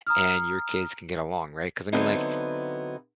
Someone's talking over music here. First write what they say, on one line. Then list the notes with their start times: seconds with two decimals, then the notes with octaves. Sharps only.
and your kids can get along, right, 'cause I mean, like
0.07 A#5 D#6 F6
1.92 D3 F#3 B3 C4 D#4 E4